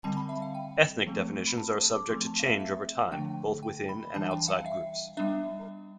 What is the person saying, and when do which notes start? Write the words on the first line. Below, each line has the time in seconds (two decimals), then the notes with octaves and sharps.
Ethnic definitions are subject to change over time, both within and outside groups.
0.04 D3 G3 C4 A5
0.17 B5
0.29 E5
0.42 F5
0.55 G5
1.06 F3 A3 C4
1.47 B5
1.57 A5
1.92 D6
2.09 F3 A3 C4 C6
2.27 A5
2.40 F5
2.43 E5
2.60 E5
3.11 D3 F3 A3 D4 G5
3.63 G5
3.89 B5
4.14 E3 G3 D4 A5
4.31 G5
4.48 F5
4.66 E5
5.17 G3 B3 D4 E5